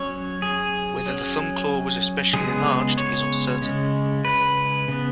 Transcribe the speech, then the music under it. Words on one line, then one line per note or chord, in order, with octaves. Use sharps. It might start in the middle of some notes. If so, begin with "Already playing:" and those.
Whether the thumb claw was especially enlarged, is uncertain.
Already playing: F#3 C#4 C#5
G#4
F#3 C#4
C#3 G#3 B3 G#4
C#5
C#3 G#3 C#4
B4
C#3 B3